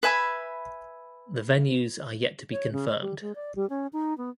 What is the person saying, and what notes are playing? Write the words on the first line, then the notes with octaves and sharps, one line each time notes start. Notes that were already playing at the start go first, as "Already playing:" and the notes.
The venues are yet to be confirmed.
B4 E5 G#5 B5
C#5
C#3
D#5
G3
G#3
D5
G3
C#4
D#4
B3